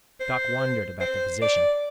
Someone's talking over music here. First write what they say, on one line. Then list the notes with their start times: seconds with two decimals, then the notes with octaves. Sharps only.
Doc wondered about the physician.
0.20 C5
1.01 C5
1.42 D5